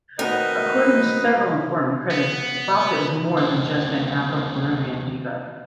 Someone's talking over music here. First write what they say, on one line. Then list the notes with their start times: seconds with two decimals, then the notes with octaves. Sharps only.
According to several important critics Baca is more than just an Afro-Peruvian diva.
0.19 C4 D#4 F#4 A#4 B4 D#5
2.11 B3
3.37 D#2 C4